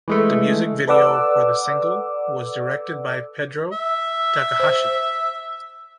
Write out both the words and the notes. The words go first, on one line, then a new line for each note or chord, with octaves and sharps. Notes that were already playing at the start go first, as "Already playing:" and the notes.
The music video for the single was directed by Pedro Takahashi.
E3 G#3 A3
A4 B4 D5 F#5 D6 E6
E5
C5